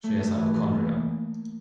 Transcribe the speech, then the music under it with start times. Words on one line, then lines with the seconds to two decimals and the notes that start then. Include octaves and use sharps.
She has hypochondria.
0.04 A3
0.20 A3
0.37 E3
0.54 E3
0.70 A#3
0.87 A#3